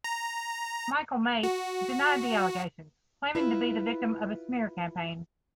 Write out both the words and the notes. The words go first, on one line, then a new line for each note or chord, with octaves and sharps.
Michael Mates denied the allegations, claiming to be the victim of a smear campaign.
A#5
F#4
E4 F4 B4